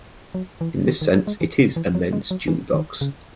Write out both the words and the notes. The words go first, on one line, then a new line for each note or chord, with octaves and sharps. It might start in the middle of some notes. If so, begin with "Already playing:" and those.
In this sense, it is a men's jewelry box.
F#3
E3
D#3
D#3
F#3
G#3
E3
C#3
E3
F#3
G#3
F#3
E3
D#3
C#3